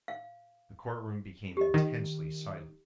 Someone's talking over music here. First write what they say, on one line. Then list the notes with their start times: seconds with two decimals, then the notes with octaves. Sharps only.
The courtroom became intensely silent.
0.08 F5
1.57 G4 D#5
1.74 D#3